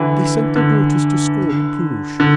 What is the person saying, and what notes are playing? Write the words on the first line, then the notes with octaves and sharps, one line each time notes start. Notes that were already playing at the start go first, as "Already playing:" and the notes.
They sent their daughters to school in Bruges.
Already playing: D3 E3
D3
D3